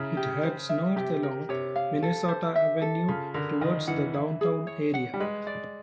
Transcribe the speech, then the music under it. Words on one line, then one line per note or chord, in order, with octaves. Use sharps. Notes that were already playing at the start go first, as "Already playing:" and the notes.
It heads north along Minnesota Avenue toward the downtown area.
Already playing: C#3 E4 A#5
G4
C5
E5
C3 G4
A#4
C3 C#5
F5
A4
C5
E5
A4
C#3 F4
D3 A#4
D#3 D#5
E3 F#5
E4
G#4
C#5
F#5
G3
G#3 B4
D5